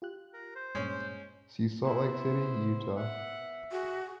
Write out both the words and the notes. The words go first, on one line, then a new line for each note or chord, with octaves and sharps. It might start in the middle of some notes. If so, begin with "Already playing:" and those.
See Salt Lake City, Utah.
F4 G4 F#6
A#4
C5
G2 A#2 G#3 C#4
B3 E4 C5
E5 F#5
F#4 G#4